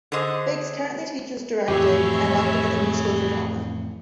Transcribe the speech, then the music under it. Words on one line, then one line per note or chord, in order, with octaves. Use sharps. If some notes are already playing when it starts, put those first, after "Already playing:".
Biggs currently teaches directing and acting at The New School for Drama.
D3 G#4 C5 D#5
F2 A2 E3 G4 G#4 B4 C#5 E5